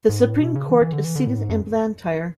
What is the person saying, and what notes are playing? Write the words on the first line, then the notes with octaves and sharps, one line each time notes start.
The Supreme Court is seated in Blantyre.
G#2
A2
B2
C#3
E3
E3
D3
E3
D3
A2
G#2
F#2